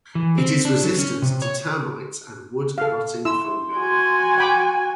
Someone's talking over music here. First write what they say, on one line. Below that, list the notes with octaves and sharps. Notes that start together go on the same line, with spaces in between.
It is resistant to termites and wood-rotting fungi.
E3
C4
D4
F#3
C#4
C3
C#5
A4 F5
E4 C6 E6
F#4 G#5
G5 B5 D6